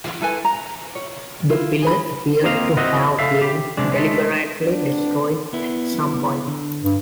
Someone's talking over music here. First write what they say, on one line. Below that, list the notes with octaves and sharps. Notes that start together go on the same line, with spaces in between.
The pillar appeared to have been deliberately destroyed at some point.
E4 A4 B4 G#5
A#5
C#5
E4 F4
G#4 B5
A#3 C4 D#5 F5
C4 E4 F#4 D#5
A4 E5 F5
G4
C3 G#3 D4
G#3 A3
A2 B3 C4 D4
B3 E4
D3
G2